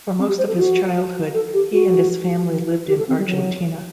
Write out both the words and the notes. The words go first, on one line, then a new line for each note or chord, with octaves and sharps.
For most of his childhood, he and his family lived in Argentina.
C4
G4
C5
A4
F#4
A4
G4
F#4
G4
A4
C4
G3
F#3